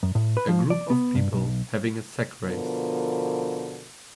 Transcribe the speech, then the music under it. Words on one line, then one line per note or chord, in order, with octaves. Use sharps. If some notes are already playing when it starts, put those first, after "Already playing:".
A group of people having a sack race.
F#2
A2
B4
F3
D5
B3
G2
B1
B2 D3 F3 B3 A#4